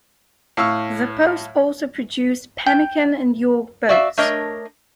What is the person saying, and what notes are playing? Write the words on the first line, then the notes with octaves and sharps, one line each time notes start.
The post also produced pemmican and York boats.
A2 F5 C#6 E6
G5
F#4 D5 E5 F5
A3 D4 A#4 C#5 D#5